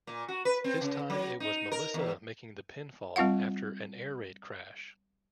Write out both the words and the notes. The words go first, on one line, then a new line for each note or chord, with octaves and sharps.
This time it was Melissa making the pinfall after an Air Raid Crash.
A#2
F#4
B4
C4
C#3
F#3
D#4
A#4
E2
G3 C4 F4 F5 F#5